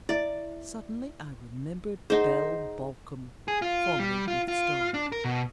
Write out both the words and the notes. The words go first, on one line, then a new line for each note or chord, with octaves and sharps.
Suddenly I remembered Belle Balcom, formerly with the Star.
E4 D5 E5
D#4 G#4 C5 F#5
G#4
F4
G3
F4
F4
D4
A#4
B2